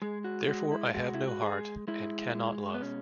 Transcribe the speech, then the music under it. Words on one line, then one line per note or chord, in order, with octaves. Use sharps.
Therefore I have no heart, and cannot love.
G#3 G#4
F#4
G#3 F#4
E4
G#3 F#4
E4
F#4
G#3 G#4
G#3 E4
G#3
B3
B2 C#4